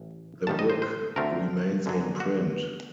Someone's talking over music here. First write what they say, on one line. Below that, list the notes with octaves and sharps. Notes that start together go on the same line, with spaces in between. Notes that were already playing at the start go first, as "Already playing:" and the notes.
The book remains in print.
Already playing: A1
A1 G2 D#3 G3 A5
D#5
C5
C5
D2 D3 A3 C4 A#4
F#2 D3 F#3
F#4